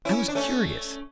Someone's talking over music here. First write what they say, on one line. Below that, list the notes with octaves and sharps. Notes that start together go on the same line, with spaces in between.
I was curious.
C#4 E4
D4
A3 C#4